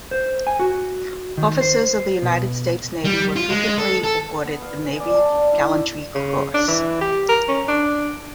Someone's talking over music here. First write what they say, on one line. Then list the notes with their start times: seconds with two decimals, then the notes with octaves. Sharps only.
Officers of the United States Navy were frequently awarded the Navy Gallantry Cross.
0.11 C5
0.47 G#5
0.60 F#4
1.37 D#3
1.61 C5
2.22 B2
3.05 G3
3.36 F4
3.49 G#3
3.78 A4
4.04 A4
4.45 B3
4.62 F5
4.85 G#5
5.00 D5
5.14 A5
5.30 D4
5.52 E4
5.67 E4
6.15 C#3
6.54 D4
6.68 E3
7.01 G4
7.29 A#4
7.48 C#4
7.68 D4